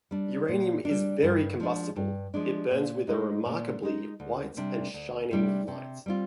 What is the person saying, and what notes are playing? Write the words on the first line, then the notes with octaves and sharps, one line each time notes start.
Uranium is very combustible; it burns with a remarkably white and shining light.
G3 D4
A#2
G3 D4
G2
F3 G#3 D4
G2
F3 G#3 D4
A#2
G#3 D#4
A#2
G#3 D#4
D2
C3 G3 D4
D2
C3 G3 D4
C3
G3 C4 F4